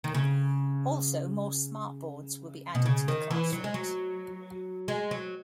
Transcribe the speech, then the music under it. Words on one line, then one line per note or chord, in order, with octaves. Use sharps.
Also, more SmartBoards will be added to the classrooms.
D#3
C#3
B2
C#3
D#3
E3
F#3
G#3
F#3
G#3
F#3